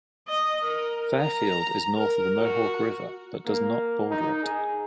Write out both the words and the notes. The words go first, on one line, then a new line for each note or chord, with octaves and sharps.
Fairfield is north of the Mohawk River, but does not border it.
D#5
A#4
A#5
A#4
F#4
A#3
D#4
G#4